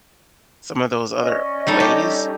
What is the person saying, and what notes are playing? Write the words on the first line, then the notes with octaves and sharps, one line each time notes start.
some of those other ways,
C#4 D5 D#5
G3 D#4 A4
G4